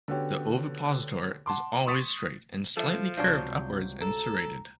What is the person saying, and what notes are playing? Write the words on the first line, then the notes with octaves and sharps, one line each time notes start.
The ovipositor is always straight and slightly curved upwards and serrated.
D3 B3 C#4 F#4 G4 C#5
F#5 A5 C6 D6
C6 C#6 D#6 A6 B6 C#7
F3 A4 E5
C#2 C3 F#3 G3 D4 F4 F#4 G6
A4 A#5